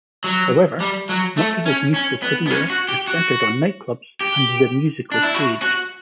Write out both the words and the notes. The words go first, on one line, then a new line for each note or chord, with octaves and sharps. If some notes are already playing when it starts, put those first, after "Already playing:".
However, much of his musical career has centered on nightclubs and the musical stage.
F#3
G3
F#3
A3
C#4
C#4
B3
B3
C#4
F#4
G4
F#4
G4
D4
E4
F#4
F#4